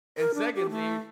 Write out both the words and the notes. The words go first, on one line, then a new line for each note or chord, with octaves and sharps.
And secondly"
A#4
D4
G4
A3